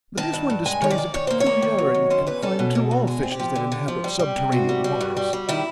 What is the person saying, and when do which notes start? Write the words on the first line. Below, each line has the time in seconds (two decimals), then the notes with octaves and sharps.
But this one displays a peculiarity confined to all fishes that inhabit subterranean waters.
0.17 D#3 A5
0.33 G2
0.50 G2
0.66 G#3 G#5
0.82 D#3 C#5
0.90 D5
0.98 D#3
1.14 D#3 C#5
1.27 A#3 C5
1.40 C#5
1.46 A#3
1.62 D#3
1.78 F#3
1.95 D#3
2.10 C#4 C5
2.27 E2 B4
2.42 C#4 A4
2.59 B2
2.75 B2
2.91 E2
3.07 G#3 G#4
3.23 C4
3.31 G4
3.39 F3
3.55 D3
3.72 D3
3.88 F3
4.04 G3
4.19 G3
4.36 C3
4.52 C3 F#4
4.69 G3
4.84 G3
5.01 G2
5.17 G3
5.33 G3
5.49 D#3 E4